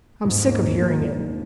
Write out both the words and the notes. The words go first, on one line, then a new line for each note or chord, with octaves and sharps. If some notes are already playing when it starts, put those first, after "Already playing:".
I'm sick of hearing it.
E1 G#2
D#2 D#3
E1
D#2 D#3
E1
D#2 D#3